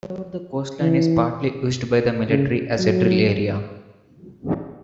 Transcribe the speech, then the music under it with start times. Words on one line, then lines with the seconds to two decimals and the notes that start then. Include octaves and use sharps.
However, the coastline is partly used by the military as a drill-area.
0.80 E3
2.29 C#3
2.79 F#3